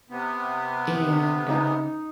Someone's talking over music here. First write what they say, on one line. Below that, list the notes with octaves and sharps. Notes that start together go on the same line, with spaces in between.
and, um
C3 B3
D#4